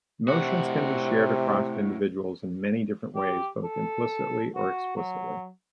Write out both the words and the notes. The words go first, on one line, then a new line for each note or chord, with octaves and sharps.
Emotions can be shared across individuals in many different ways both implicitly or explicitly.
A2 C3 F#4
G4
A4
F#4
F#3